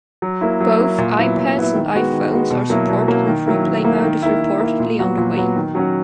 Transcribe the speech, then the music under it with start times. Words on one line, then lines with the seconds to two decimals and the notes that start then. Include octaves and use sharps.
Both iPads and iPhones are supported and freeplay mode is reportedly on the way.
0.22 F#3
0.41 A#3 E4
0.61 F#3
0.79 A#3 E4
0.98 A#2
1.18 F#3 B3 E4
1.37 A#2
1.55 F#3 B3 E4
1.75 D#3
1.94 G#3 B3 F#4
2.13 D#3
2.31 G#3 B3 F#4
2.51 B2
2.70 F#3 A#3 E4
2.89 B2
3.08 F#3 A#3 E4
3.27 D#3
3.46 F#3 A#3 E4
3.66 D#3
3.84 F#3 A#3 E4
4.03 D#3
4.22 A#3 E4
4.42 D#3
4.60 A#3 E4
4.80 A#2
4.99 F#3 B3 F#4
5.17 A#2
5.37 F#3 B3 F#4
5.56 D#3
5.75 F#3 C#4 F#4